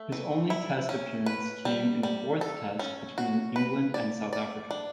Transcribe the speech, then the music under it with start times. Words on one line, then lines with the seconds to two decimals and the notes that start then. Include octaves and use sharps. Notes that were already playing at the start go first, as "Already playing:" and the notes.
His only Test appearance came in the fourth Test between England and South Africa.
Already playing: A3
0.12 E3
0.50 E4
0.89 C#4
1.26 B4
1.65 G3
2.03 G3
2.41 A4
2.79 C#4
3.18 F#4
3.56 B4
3.94 D5
4.33 D5
4.71 D4